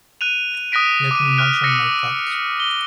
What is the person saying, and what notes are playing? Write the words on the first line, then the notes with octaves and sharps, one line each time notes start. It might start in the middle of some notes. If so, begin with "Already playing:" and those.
Let me marshal my facts.
F#6 D#7 F7
D#6 F#6 A#6 B6 D7
D6 D#7
F6 F#6 D7
E6 A#6 B6 C#7
G7